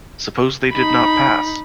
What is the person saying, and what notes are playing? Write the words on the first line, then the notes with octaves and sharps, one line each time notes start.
Suppose they did not pass!
D#4 B5